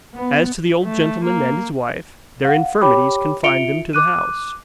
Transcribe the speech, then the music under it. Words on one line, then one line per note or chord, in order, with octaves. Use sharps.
As to the old gentleman and his wife, their infirmities confined them to the house.
B3
A3
A#3
F5 F#5
G4 C#5 G5 B5 D6
F4 E5 C#7 D7 F7 G7
D6 F#6 D#7